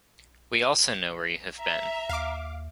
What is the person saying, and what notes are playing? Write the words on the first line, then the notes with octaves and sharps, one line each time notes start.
We also know where you have been.
E5 A#5
D#2 F5 D6